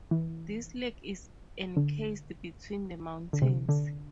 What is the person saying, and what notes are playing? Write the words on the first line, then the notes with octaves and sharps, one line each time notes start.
This lake is encased between the mountains.
E3
D3
D3
C3
D3